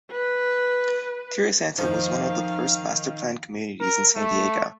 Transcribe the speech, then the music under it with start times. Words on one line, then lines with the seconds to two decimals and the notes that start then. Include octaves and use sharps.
Tierrasanta was one of the first master planned communities in San Diego.
0.12 B4
1.78 F2 D#3 F3 D#4 F5
3.81 A#4
4.16 A3